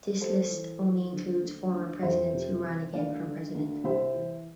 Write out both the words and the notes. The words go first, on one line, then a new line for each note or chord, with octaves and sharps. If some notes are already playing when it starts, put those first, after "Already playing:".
This list only includes "former" presidents who ran again for president.
G3 A4 C5
E3
G3
D3
D2
D2
F2 C5 E5
C3
E3
D2 D5 F5
D3
D2
C2 C5 E5
E3